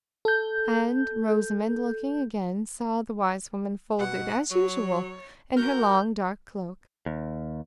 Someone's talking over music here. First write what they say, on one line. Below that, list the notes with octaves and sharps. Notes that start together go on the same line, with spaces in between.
And Rosamond, looking again, saw the wise woman, folded as usual in her long dark cloak.
A4 G6
B2 F#5
F#3 C#5
F#4 A#4 G6
D#2